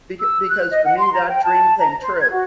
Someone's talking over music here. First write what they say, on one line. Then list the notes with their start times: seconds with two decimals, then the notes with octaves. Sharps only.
beca because for me that dream came true.
0.21 E6
0.48 F#6
0.71 D#5
0.86 F#5
0.99 C6
1.12 A#5
1.30 G5
1.43 A5
1.79 A#5
2.02 C5
2.18 G#6
2.32 F#4